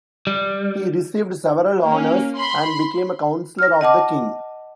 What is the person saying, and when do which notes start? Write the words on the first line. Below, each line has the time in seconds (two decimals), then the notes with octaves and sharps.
He received several honours and became a counselor of the king.
0.27 G3
1.86 A#3 C#4
2.36 B5 C6
3.59 F6 A#6
3.81 D#5 F#5 A5 D6